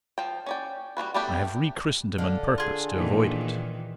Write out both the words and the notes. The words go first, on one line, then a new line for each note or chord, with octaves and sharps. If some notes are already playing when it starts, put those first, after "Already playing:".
I have re-christened him on purpose to avoid it.
F3 G5
C#4 D5 G5
G3 F4 F#4 B4
G3 A3 B3 D4 G4
D3 F5
F4 G#4
A#2 D#3 E3